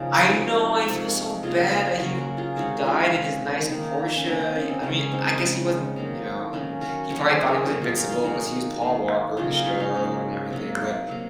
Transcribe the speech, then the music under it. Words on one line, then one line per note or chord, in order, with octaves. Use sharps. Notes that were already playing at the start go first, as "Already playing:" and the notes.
I know, I feel so bad that he v He died in his nice Porsche, he I mean, I guess he wasn't you know, and he probably thought he was invincible 'cause he was Paul Walker on the show and everything, but
Already playing: C#3 F3 A#3 C#4 D#4 F4
C3 F3 G#3 D#4 F#4
C3 F3 G#3
C#3 F#3 A#3 F4 G#4
G#4 C5
G#4 C5
G#4 C5
C#3 F#3 A#3 F#4 A#4
F#4 A#4
F4 G#4
C3 D#3 G#3 D#4 F#4
C#4 F4
C3 D#3 G#3
D#3 A#3
C#4
D#3 A#3 C4 D#4
C4
C#4
C4
C#3 G#3 C#4
C4 D#4
C#3 G#3
D#3 F#3 A#3
D#3 F#3 A#3 C#4
F#4 A#4
D#3 F#3 A#3 A#4 C#5
G#4 C5
F#4 A#4
D#3 F#3 A#3 F#4 A#4
F4 G#4
D#4 F#4
F4 G#4
D#3 A#3 F#4 A#4
D#3 A#3
C#3 F#3 A#3 F4 G#4
D#4 F#4
C#4 F4
D#4 F#4
C#3 F#3 A#3
C3 F#3 A#3
C3 F#3 A#3